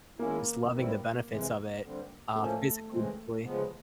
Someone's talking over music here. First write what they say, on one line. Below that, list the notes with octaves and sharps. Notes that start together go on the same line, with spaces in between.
just loving the benefits of it, uh, physically and mentally.
D#3 G#3 A#3 C#4 E4
G#2 E3 G3 C4 E4
F2 C3 E3 G#3
G2 D3 G3 C4
A2 F3 A3 A#3 C#4
C#3 E3 G#3 C4
D2 C#3 F3 G#3 B3